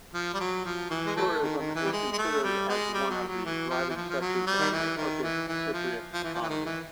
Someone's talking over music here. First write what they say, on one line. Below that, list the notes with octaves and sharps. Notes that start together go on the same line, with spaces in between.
Tourism is considered as one of the driving sectors of the Turkish Cypriot economy.
F3
G3
F#3
F3
E3
G#3
E3 F#3 A3
D#3
D#3
E3
G3
G#3
G#3
A3
G3
G#3
G3
F#3
F#3
E3
F3
E3
F3
F3
F#3
G3
D#3
E3
D#3
E3
E3
F3
F3
E3
F3
E3
D#3
E3